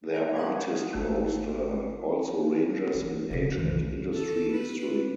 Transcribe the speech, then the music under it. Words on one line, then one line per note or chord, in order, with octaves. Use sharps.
Their artist roster also ranges in age and industry history.
G4 G#4 A#4 F#5 G#5
F#5 D#6 G6 G#6
G#1 A3
E3
C#3 D4
C2 F#2 D#3 E3 A3
A4
B4